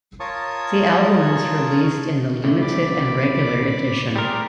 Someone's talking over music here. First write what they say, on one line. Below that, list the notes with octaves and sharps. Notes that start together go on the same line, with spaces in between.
The album was released in the limited and regular edition.
F4 A#4 C#5 A5 C#6 D#6
A2 A3 D5
C2 D5 B5 D6
G3 G#4 A#4 C6 D6